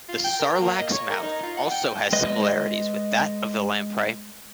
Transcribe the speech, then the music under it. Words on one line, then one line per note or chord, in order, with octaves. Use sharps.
The sarlacc's mouth also has similarities with that of the lamprey.
F4
G5
A#4
A#3
D#5
C#5
A#4
D#4
F4
F#5
G5
G#3 B4 D#5